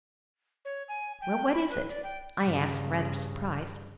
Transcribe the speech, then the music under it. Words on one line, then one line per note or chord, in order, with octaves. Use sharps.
"Well, what is it?" I asked, rather surprised.
C#5
G#5
G5
B5
B4
D5
G5
G2 C#3